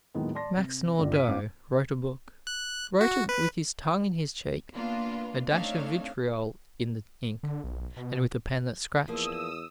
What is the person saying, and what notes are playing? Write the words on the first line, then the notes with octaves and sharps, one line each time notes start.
Max Nordau wrote a book--wrote it with his tongue in his cheek, a dash of vitriol in the ink, and with a pen that scratched.
D#2 A2 D#3 F#3 G#3 B3
D5 A5 C6 A#6
C3
G1 C#2 D3 D5
F5 F6 B6 D#7
G1 C#4 F5 D6
F#6
F#4
B4
A#3 B3 D4 F4 B4
A3 C4 D4 D#4 C#5 F5
D3
B1
B2
E2 F3 A#3 D#6 E6